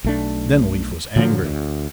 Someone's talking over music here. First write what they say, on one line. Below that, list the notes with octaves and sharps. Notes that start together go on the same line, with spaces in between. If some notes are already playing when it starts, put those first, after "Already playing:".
Then Leif was angry.
B1 A3 D4
A#2 D3 F3 F#3
D2